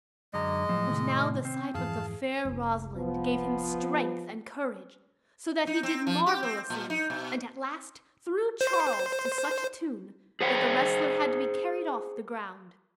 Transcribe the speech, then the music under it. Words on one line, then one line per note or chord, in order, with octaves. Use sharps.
But now the sight of the fair Rosalind gave him strength and courage, so that he did marvelously, and at last, threw Charles to such a tune, that the wrestler had to be carried off the ground.
F#2 D3 G#3 D#5 A#5
A2 F3 F#3
C3 D#3
C4
F2 G#2 E3 G#4 F5 A5
F1 C2
F3 B3
D#4
C4
F3
G4
C4
A#2
D#4
B2
C5
G#4 C5 F#5 G5